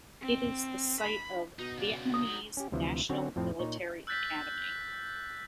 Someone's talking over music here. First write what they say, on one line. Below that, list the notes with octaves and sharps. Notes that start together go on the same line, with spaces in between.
It is the site of Vietnamese National Military Academy.
C4
B5
B2 D#4
C#3 D5
D#4 D#5 A#5 D#6
F#3 G3
C#4 G4
D2 C3 E3 F3
D3 F#3 C4 C#4 F#4 C#5
F2 A2 F3 C4
A#2 D#4 C#5
E6 F#6 G6 A6 B6